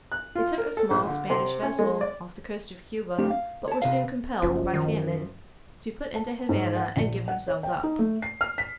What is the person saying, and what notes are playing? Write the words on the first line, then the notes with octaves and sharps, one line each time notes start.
They took a small Spanish vessel off the coast of Cuba, but were soon compelled by famine to put into Havana and give themselves up.
F#6
F4
A#4
A4
A#1
D3
C3
C#4
G#3
D5
A3 C4 D4 G4
F5
C#5 A5
C3 B4 F5
F#1 F#2 F3
D#3
A5
G#2
F#5
A#1
F#5
C#5
G5
D#4
A3
C7
F6
B6